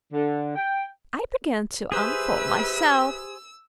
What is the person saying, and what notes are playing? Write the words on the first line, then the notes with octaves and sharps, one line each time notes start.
I begin to unfold myself.
D3
G5
G4 G#4 B4 C5 E5 E6